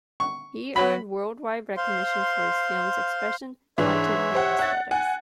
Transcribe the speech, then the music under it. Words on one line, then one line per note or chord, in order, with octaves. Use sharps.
He earned worldwide recognition for his film's expression, content, and aesthetics.
C#6
F#3 B5
C5 F5 C6
G#2 E3 D4 C#5 E5
G4 C5 F#5
F#5 A6
F#5 G#5